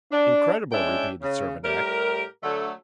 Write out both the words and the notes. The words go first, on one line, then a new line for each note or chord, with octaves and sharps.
"Incredible?" repeated Servadac.
D4
G#3 C#4 D4 E4 E5 G5
C#3
A2 G3 G4 A#4
D3 F#3 A3